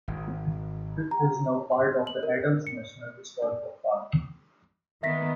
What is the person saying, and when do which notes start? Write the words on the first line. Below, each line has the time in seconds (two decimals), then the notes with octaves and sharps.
It is now part of the Adams National Historical Park.
0.08 G#1
1.11 A#5
1.72 C6
2.07 F#7
2.23 A#4
2.67 C#7
3.42 D5
5.03 D#3 B3 E5 A#6 B6